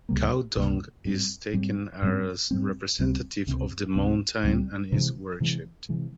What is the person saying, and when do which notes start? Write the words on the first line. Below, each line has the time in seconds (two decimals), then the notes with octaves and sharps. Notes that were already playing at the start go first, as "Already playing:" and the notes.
Cow dung is taken as representative of the mountain and is worshiped.
0.09 C#2 C3 G3 A#3
0.57 C#2 C3 G3 A#3
1.05 G#2 G3 C4
1.53 G#2 G3 C4
2.02 G#2 G3 C4
2.51 G#2 G3 C4
2.99 C#2 C3 G3 C4
3.47 C#2 C3 G3 C4
3.95 C#2 C3 G3 C4
4.43 C#2 C3 G3 C4
4.92 C3 E3 G#3
5.40 C3 E3 G#3
5.89 C3 E3 G#3